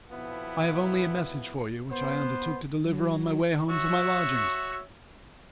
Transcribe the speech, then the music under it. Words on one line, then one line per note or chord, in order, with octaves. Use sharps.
I have only a message for you, which I undertook to deliver on my way home to my lodgings.
F2 B2 B3 E4
B3 C5
F#3
F#4 C#5 E5